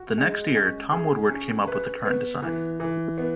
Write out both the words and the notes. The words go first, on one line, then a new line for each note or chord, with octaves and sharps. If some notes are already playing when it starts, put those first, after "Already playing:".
The next year, Tom Woodward came up with the current design.
Already playing: F#4
G#3
C#4
G#4
C#4
B4
B3
E3
E3
B3